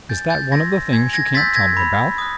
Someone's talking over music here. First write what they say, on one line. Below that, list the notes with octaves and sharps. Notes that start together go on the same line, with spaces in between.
"Is that one of the things you can't tell me about?"
G#5 G6 A6
G6 A6
C6 E6 G6 G#6 A#6
G#5 G#6
G#6 A#6
C6 E6 G6 A6 B6
G#6 A#6
B5
D#6 F#6